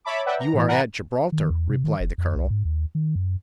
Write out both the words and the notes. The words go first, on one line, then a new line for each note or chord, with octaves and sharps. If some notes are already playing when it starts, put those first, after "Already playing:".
"You are at Gibraltar," replied the colonel.
C#5 E5 A5 B5 D6
B4 D5 E5 F#5 G5
A#5
A2 E3
A#4 F#5 G#5 B5
D#3
E2
C3
D#3
F1
F2
C2
G#2
D#2
D#3
F#2